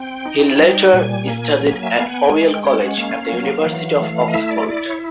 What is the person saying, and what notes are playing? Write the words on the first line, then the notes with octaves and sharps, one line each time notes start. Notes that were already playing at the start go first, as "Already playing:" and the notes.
He later studied at Oriel College at the University of Oxford.
Already playing: C4 G5
D#4
G3
G5
A#2 G#5
A#3
F#3
E5
B3 F5
F#5
G5
G#3 G#5
G5
C#4 G5
F#5
A#3 F5
F#3
E3
A3
D#5
E4 E5
D5
E4 D5
C#5